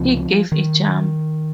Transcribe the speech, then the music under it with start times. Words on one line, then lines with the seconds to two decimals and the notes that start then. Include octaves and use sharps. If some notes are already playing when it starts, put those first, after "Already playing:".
He gave a jump.
Already playing: C#2 C3 F3
0.52 D#3